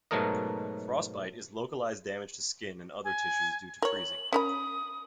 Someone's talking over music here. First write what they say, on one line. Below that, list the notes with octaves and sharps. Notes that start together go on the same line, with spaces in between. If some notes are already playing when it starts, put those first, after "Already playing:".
Frostbite is localized damage to skin and other tissues due to freezing.
G#2 B2 F#3 A3 A#4 D#5
G#5
A#4 C#5 F#7
C#4 A#4 B5 D#6